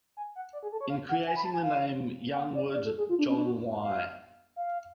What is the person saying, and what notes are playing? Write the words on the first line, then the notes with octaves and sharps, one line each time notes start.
In creating the name Youngwood, John Y.
G#5
F#5
D5
G#4
A4
C#5
F5
F#5
G#5
B5
A5
G#5
F5
G#5
F#5
D5
D5
A4
G#4
F4
D4
C#4
D4
F#4
F5
F5